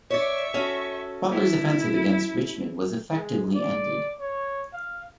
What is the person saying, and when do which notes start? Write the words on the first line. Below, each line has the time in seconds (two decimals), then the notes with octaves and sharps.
Butler's offensive against Richmond was effectively ended.
0.10 C#5 D5 E5 C#6
0.54 C#4 F#4 A4
1.31 E4
3.12 G#3
3.55 D5
4.20 C#5
4.73 F5